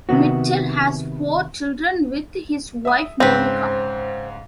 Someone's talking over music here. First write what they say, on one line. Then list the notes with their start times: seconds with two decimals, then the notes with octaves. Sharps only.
Mitchell has four children with his wife Monica.
0.09 C3 D#3 B3 F#4
2.85 E5 D#6
3.20 G#2 C#3 C4 B4